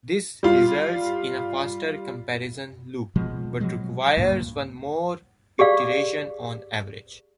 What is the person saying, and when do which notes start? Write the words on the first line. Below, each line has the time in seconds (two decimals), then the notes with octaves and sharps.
This results in a faster comparison loop, but requires one more iteration on average.
0.43 G3 F4
3.16 B2 F3 G#3
3.60 B2 F3 F#3 G#3
4.17 C#2 G2 A#2
5.59 G4 G#4 D5 F5